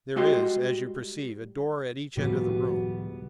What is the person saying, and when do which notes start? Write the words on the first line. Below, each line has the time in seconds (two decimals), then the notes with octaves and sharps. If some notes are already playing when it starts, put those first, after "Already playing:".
There is--as you perceive--a door at each end of the room.
0.16 G3 G#3 F#4 D#5 G5 C6
2.17 C#2 A2 D#3 F3 G3 B3 F#4